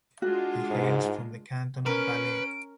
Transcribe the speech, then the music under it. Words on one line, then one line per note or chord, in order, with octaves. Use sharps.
He hails from the canton of Valais.
G#3 D4 F4 F#4
G#2
C#4 A#4 B4 D7